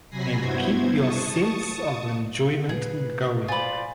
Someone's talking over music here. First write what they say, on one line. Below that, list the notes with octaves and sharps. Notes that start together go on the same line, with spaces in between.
And keep your sense of enjoyment going.
C3 F#3 G#5 B5 A#6 C7
G2 B3 E4 F#4 C5 G#6
A5 C#6 D#6
A#2 G#4 B4
F4 C5 D5 G#5 B5